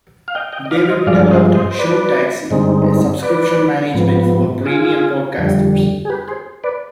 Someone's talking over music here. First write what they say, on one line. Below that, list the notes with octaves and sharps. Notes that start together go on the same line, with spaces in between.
David developed ShowTaxi, a subscription management for premium podcasters.
F5
D#5 G5
D#5 G5
D#5
D5 F5
F5
C5 D#5
D#5
G2 F3 G#3 D5 F5
C5 D#5
C5 D#5
C5
B4 D5
G2 D3 G#3 C4 D#4
B4 D5
G#2 F3 B3
F4 G#4
F2 D3 G3
G#4
G4 B4
G#4 C5
B4 D5